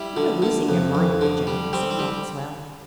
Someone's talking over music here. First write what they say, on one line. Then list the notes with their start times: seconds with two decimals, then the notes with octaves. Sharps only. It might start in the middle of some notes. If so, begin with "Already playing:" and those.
"You are losing your mind, Pitcher," said Maxwell.
Already playing: G3 E4
0.17 D3
0.42 D3
0.69 F2
0.95 F2
1.21 D3
1.47 G3
1.73 G3 C4
1.91 C4
1.99 G3